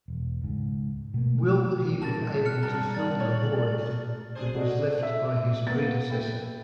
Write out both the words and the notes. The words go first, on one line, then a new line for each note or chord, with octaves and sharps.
Will he be able to fill the void that was left by his predecessor?
E1
C#2 G#2
B2 A3 A#3
G2 A#2 A5 A6
F6 F#6 C#7
G2 B2 D4 A#5 A6
D5 A6
A3 C#5
D4 G#4 C5
F#4 A4 D#5
E5
B2
A#3 B3 A4 A6
B4 E5 G5